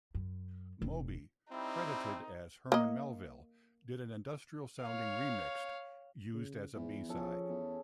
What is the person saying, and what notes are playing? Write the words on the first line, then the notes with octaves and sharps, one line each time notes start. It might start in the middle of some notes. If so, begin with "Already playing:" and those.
Moby, credited as "Herman Melville", did an industrial-sounding remix used as a B-side.
F#2
E1
G3 C4 D#4 E4
A#3 D#5
C#5 F5
C#3
E2 G#2
F3 C#4 G#4 A4
E2